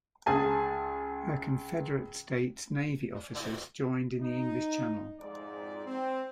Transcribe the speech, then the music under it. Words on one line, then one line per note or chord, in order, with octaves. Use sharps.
Her Confederate States Navy officers joined in the English Channel.
C#2 G#4 G#5 A5
D#4
F2 G#2 D5
C4